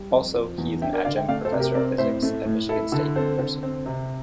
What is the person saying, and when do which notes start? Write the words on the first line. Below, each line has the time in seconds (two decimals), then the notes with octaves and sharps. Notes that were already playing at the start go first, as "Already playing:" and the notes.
Also, he is an Adjunct professor of physics at Michigan State University.
Already playing: G3
0.11 F2
0.35 F3
0.58 E2
0.82 D4 E5 G5
0.93 A#4 D5
1.05 D3 D5 F5
1.16 E5 G5
1.28 A3 D5 F5
1.45 A4 C5
1.52 C3
1.60 G4 A#4
1.75 C4 A#4 D5
1.98 A2 C5 E5
2.23 A3
2.45 A2
2.69 E4 A4
2.92 D3 A4
3.16 C4 A4 C5
3.39 D3
3.63 C4
3.86 C3